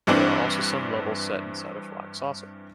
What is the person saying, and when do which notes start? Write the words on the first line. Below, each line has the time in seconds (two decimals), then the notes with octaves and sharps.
There are also some levels set inside a flying saucer.
0.07 G2 E3 C4 D4